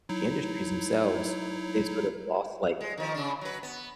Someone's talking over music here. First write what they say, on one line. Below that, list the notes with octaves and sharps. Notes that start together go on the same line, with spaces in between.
the industries themselves, they've sort of lost, like,
F#3 D#4 E4
G#3
D#3 F3
C#3 D4
F#3 B4
B3